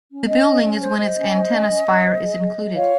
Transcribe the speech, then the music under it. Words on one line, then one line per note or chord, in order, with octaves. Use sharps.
The building is when its antenna spire is included.
C#4
C#4 D#5
C#4
C#4
C5
C5 D#5
C#4
C5
C#4
C#4
C#4
C5
G#4
G#4
G#4
F4 C#5 F5